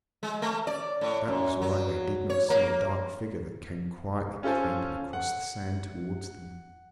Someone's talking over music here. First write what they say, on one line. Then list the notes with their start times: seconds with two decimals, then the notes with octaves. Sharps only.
That was why they did not see a dark figure that came quietly creeping across the sand towards them.
0.23 G#3
0.42 A3
0.67 D5
1.01 A2
1.28 F#2
1.62 F#3
2.30 C#5
2.50 A#3
4.43 C#4 F4 A4 C5 G#5
5.13 F#5